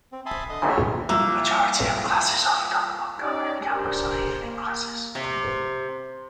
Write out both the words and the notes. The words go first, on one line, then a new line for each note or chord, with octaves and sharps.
The majority of the classes offered on the Montgomery campus are evening classes.
C4
E5 G#5 A5 B5 C6 D#6
D3 D#5 D#6
D#2 A2 F#3 C#5 E5 F6
C2 F3 A#3 E6
C#4 D#4 G4 D5
D4 G4 A#4 C5 D5
A#3
C3